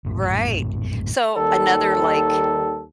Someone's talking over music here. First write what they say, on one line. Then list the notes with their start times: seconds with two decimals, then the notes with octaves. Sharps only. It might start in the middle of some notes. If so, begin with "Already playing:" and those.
Right. So, another, like,
0.05 A#1 F#2 A2
1.36 D#2 D#3 G3 A4